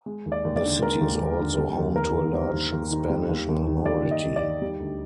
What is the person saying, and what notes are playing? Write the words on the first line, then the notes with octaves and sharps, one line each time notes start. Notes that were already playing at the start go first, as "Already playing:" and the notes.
The city is also home to a large Spanish minority.
G#3
D#2
D5
D#2
D5
D3
G#3 A#4
D#2
D#2
D3
G3
D#2
D#2 A#4
D#3
G3 C5
D#2
D#2
D#3
G3
D#2
D#2
D#3
G3 D5
D#2
D#5
D#2
D5
D#3
G3
D2